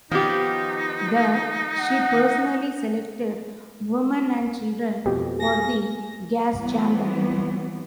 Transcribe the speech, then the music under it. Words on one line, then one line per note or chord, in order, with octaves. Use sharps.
There, she personally selected women and children for the gas chamber.
D#3 F3 B3 D#4 G4
F#5
F2 B2 G4
G#4 A#6
E3 F#3 G3 B3 C4